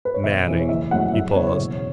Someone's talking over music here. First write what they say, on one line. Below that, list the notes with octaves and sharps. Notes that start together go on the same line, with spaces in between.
"Manning." He paused.
B4
C#5
E1 E5
E2 E3 B3
C#5
F#1 E5
F#2 F#3 A3 E4 F#5
F#2 E5
C#3 F#3 C#4 E4 C#5
C#5
E1